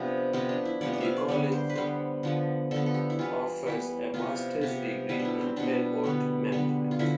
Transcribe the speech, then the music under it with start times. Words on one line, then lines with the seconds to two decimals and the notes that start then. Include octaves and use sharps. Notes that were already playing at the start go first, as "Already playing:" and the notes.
The college offers a master's degree in Airport Management.
Already playing: C3 F3 B3 D4
0.33 C3 F3 B3 C4
0.49 D4
0.65 E4
0.81 C3 F3 B3 D5
0.93 D5
1.01 E5 F5
1.16 D5
1.28 D3 G3 B3 D5
1.52 C5
1.70 B4
1.75 D3 G3 B3 C5
2.23 D3 F3 B3
2.71 D3 F3 B3 A4
2.86 A4
2.94 G4
3.10 E4
3.19 E3 G3 B3 F4
3.66 E3 G3 B3
4.14 C3 F3 B3 F4
4.61 C3 F3 B3
5.09 B2 G3 B3 E4
5.19 D4
5.25 E4
5.41 C4
5.56 B2 G3 B3 D4
6.04 D3 G3 B3
6.52 D3 G3 B3
6.91 F4
6.99 D3 F3 E4